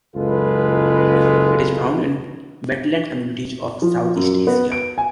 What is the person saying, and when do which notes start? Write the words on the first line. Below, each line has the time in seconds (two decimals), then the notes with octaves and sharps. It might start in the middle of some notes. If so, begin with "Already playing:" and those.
It is found in wetland communities of Southeast Asia.
0.16 F#1 C#2 G#3 F4 A4 B4
3.82 F3
4.16 F#2
4.47 B3
4.72 D7
4.98 G#5